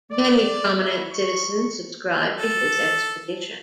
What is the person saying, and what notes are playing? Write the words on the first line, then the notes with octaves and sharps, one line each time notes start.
Many prominent citizens subscribed to his expedition.
D5
E4
C#6
A4